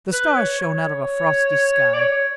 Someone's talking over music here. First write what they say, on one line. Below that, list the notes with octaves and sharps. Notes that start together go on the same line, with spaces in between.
The stars shone out of a frosty sky.
B4
C#5
C#5
D5
C#5